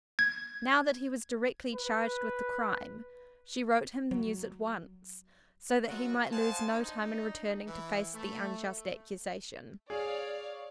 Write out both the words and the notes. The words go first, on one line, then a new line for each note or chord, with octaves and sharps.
Now that he was directly charged with the crime, she wrote him the news at once, so that he might lose no time in returning to face the unjust accusation.
G#6
B4
F#3
F#3 A3 B3 F4 F#4
C5 D#5 F5 F#5 G#5 A5
D4 D#4
E3
A3
G#4 C#5 D5 F5